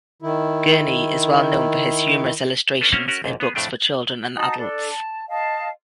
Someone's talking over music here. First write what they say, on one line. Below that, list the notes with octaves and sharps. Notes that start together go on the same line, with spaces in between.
Gurney is well known for his humorous illustrations in books for children and adults.
D#3 E4
C#4 D4 A4 B4
A#3 C4 C#4 E5 F#5 A#5
C#4 F#4 A#4 F#5
B1 G#2
B3 G#4
F2 A2 A3 D4 G5
D#4 F#4 A5 D#6
D4 A4
A5
D#5 F5 A5